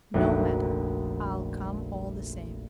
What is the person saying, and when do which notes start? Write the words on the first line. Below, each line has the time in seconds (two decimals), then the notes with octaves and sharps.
"No matter, I'll come all the same."
0.14 F1 A#1 F#4